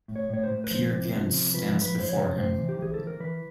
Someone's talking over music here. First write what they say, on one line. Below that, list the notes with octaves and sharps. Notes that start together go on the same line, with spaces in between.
Peer Gynt stands before him.
A2
C#5
A2 C#5
C5
A2
B4
F3 C5
C3
F3
C3
F3 B4
F3
B4
F3 C5
C#5
C3
A2 C5
E3
G4
E3 G#4
E3 A4
A#4
E3 B4